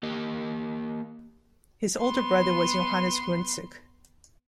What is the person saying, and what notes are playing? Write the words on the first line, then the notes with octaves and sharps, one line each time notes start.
His older brother was Johannes Gruentzig.
A#3 G4 A#4 D#5
B3 C6